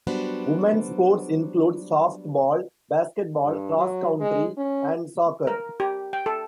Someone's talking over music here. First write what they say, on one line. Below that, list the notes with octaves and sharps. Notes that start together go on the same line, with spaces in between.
Women's sports include softball, basketball, cross country, and soccer.
F#3 G3 B3 D4 F#4 C5
G2
F#3
G#3
C#4
A#4
G4
G5
A4